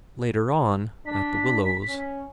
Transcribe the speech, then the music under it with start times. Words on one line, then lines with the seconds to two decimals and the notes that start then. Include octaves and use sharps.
Later on at The Willows....
1.06 D4 B6
1.87 C#4